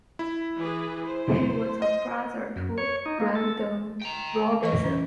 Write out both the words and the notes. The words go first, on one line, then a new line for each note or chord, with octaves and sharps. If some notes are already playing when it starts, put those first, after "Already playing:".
He was a brother to Randall Robinson.
E4
E3 G#4 B4
C5
D#5
F#2
C#5
D#4
A#3
A4
G5 A#5
E3 B4 D#5 C#6
C#4